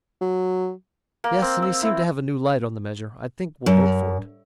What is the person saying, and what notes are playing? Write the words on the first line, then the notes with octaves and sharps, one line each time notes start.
"Yes, and he seemed to have a new light on the measure: I think will vote for it."
F#3
A#3
C4
E6
E4
F#2